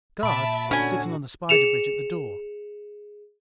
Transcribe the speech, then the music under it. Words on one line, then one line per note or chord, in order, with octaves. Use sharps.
"The guard was sitting on the spider bridge at the door."
A#2 E5 A5 B5 D7
C#4 D4 F#4 A4 G#5
G#4 C#7 E7 F7